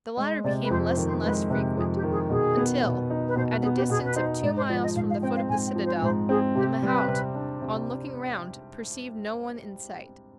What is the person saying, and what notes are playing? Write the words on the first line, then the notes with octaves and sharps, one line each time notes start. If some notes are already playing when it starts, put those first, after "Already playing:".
The latter became less and less frequent, until, at a distance of two miles from the foot of the citadel, the mahout, on looking round, perceived no one in sight.
G#3
C3 D5
B4
F2 C5
C5
D#3
C5
G#3 B4
C3 B4
F2 G#4
G4
D#3
G#4
B2 G#4
B3
B2
D#4
B4
B2 C5
B4
B3 G#4
G4
B2 G#4
B4
D#4 C5
G#2 D5
C5
F3 D5
D#5
G#2 F5
F5
C4 G5
F5
G#2 G#5
G5
F3
C5
G#2 C5
C4 G#4
C3 G4
G3 B4
C3
D4
C3